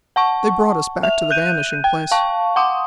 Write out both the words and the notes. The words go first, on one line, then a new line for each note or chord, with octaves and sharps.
They brought us back to the Vanishing Place.
F#5 A5 C#6
E5 F7
F#6 G6 D#7
G5
F5 A5 C#6
F#5 C6 D6 D#6